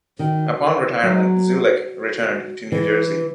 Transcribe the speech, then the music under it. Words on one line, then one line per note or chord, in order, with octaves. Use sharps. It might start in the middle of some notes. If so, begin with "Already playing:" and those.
Upon retirement, Zulick returned to New Jersey.
D#3 F#4
E4
F#3 F#4
F#4
E3 E4